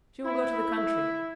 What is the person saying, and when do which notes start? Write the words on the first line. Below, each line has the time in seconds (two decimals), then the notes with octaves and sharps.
"She will go to the country."
0.25 E4